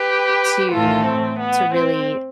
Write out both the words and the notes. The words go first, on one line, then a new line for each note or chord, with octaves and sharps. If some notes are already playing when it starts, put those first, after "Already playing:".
to to really
Already playing: G4 B4
A2 E3 A3 F4 A4
C4
B3
C4